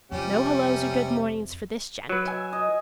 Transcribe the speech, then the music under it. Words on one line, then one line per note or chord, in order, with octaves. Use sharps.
No hellos or good mornings for this gent!
F2 C3 F3 G3 C#4 G4
F#3 B4
E5 G#5
D#5